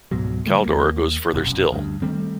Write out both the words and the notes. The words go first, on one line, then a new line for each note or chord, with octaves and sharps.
Kaldor goes further still.
C#2 G#2 B2 F#3
C#3 F3 G3 A3
D#2 A#3
F1 B1 F#2
D2 G2
D#3 G3 A3 C4